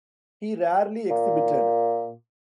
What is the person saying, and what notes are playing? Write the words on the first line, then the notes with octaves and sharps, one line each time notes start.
He rarely exhibited.
A#2